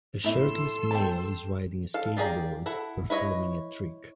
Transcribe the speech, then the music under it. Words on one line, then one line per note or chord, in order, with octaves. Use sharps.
A shirtless male is riding a skateboard, performing a trick.
A2 A4 E5 C6 E6
G5 A5
A4 F5
F4 G4 G#4 D5 A#5
E4 A4 F#5
E4 B4 C#5 D#5